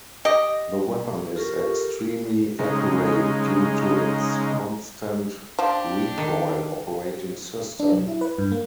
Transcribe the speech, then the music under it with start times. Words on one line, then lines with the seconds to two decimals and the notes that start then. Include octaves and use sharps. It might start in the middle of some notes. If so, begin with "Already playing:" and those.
The weapon is extremely accurate due to its constant-recoil operating system.
0.25 G4 D#5
1.36 F4 G4 A4 A#4 C#6
2.59 C#3 G#3 D#4
5.59 F3 D4 G4
6.18 D#3
7.80 D4
7.92 F#3
8.08 E4
8.21 B4
8.38 G2
8.52 A#3